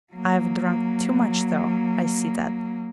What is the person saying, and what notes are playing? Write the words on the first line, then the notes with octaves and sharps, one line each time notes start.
I've drunk too much though, I see that.
F#3 A#3